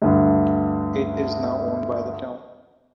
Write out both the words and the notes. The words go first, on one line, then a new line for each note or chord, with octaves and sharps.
It is now owned by the town.
D2 G2 D3